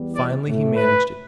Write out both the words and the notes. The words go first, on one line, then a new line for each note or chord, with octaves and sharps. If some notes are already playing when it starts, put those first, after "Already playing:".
Finally he managed it.
Already playing: E2 E3 G3 B3
D5
A2 A3
B4